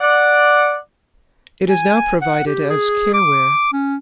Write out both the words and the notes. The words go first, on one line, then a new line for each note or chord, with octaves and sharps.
It is now provided as careware.
D5 F#5
G#5
F#5
G4
G#4
D6
C#4